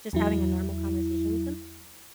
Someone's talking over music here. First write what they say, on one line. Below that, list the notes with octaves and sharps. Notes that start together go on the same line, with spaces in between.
Just having a normal conversation with them.
E2 F#3 E4